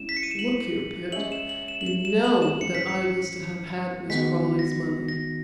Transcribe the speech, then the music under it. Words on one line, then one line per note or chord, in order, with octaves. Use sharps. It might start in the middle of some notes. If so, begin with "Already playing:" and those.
Look here, Pitt--you know that I was to have had Miss Crawley's money.
Already playing: G#3 C#4 E4 E7
B6
C#7
D#7
E7
F#7
G#3 C#4 G#4 C#5 E5 F#7
E7
F#7
E7
F#7
E7
E7
F#7
E7
G#2 E3 G#3 C#4 C#7
B6
C#7
D#3 G#3 B3 D#4 F#4 B6
A#6
A#6